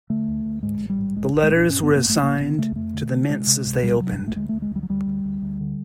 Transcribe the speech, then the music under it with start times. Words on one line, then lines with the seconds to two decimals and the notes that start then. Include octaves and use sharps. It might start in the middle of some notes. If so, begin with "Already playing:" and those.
The letters were assigned to the mints as they opened.
0.10 D3 A3
0.28 D2
0.45 D2
0.63 G#2 G#3
0.80 A1
0.90 G3
0.99 G#2
1.16 A#1 G#3
1.34 A#1
1.43 G#3
1.51 A#2 D4
1.69 G2 C#4
1.83 A1 B3
1.96 A#3
2.05 A1 A3
2.22 C#3 A#3
2.40 C#3 B3
2.58 C#3 A3
2.76 F2 A3
2.94 D3
3.12 D3
3.29 C3 G#3
3.47 C3
3.65 C#2
3.83 C3 G3
4.00 C3 F#3
4.18 E1 G3
4.27 A3
4.36 D2 G#3
4.49 D2 A3
4.62 G#3
4.71 D2 G3
4.83 F#3
4.89 D2 G3
5.07 D2
5.25 D2
5.42 D2
5.60 D3